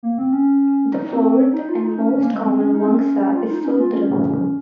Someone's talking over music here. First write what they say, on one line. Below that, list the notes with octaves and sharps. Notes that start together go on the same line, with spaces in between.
The fourth and most common wangsa is "Sudra".
A#3
C4
C#4
D#4
D#4
C4
D#4
F4
D#4
C#4
C#4
A#3
G#3
C4
C#4
D#4
C4
C#4
F4
D#4
C#4
F4
C#4